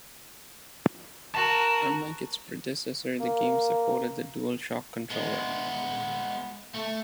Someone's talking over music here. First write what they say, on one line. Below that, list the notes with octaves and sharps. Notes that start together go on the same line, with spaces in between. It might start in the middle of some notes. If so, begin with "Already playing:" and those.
Unlike its predecessor, the game supported the DualShock Controller.
F#4 A#4 A5
A#3
G#3 B3
A3